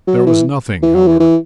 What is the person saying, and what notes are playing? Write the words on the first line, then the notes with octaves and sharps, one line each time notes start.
There was nothing, however.
F#3
E3
E3
F#3
E3
E3